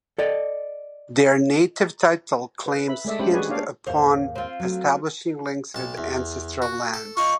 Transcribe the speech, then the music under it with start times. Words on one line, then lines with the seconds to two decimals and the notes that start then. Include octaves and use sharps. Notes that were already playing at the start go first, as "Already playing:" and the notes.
Their Native Title claims hinged upon establishing links with ancestral lands.
0.18 A4 D5 D#5
2.66 B4
2.88 E5 B5
3.05 G#3 A3 D5 E5
3.19 G#3 C#4 D4 G4 C5 B5
3.33 F#4 G#4 B4 D5 G#5
3.49 A#3 D4 C#5 D5 F5
3.87 D#2 G#2 C5 F5
4.35 C4 F4
4.60 F#3 A3
5.75 B1 A5
5.98 E2
6.62 F#4
6.94 A4
7.17 D#4 F4 C#6